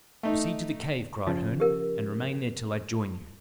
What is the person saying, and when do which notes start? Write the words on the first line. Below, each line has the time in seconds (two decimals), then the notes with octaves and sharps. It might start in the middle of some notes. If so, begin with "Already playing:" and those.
"Proceed to the cave," cried Herne, "and remain there till I join you."
0.23 A3 D#4
1.27 C#3 F3
1.60 G4 A#4